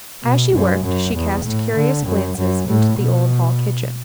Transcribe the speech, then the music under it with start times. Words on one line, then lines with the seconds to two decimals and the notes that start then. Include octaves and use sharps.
As she worked, she cast curious glances into the old hall-kitchen.
0.23 B2
0.54 F#2
0.84 F#2
1.15 E2
1.45 A2
1.76 D3
2.07 F#2
2.37 F#2
2.68 A2
2.99 B2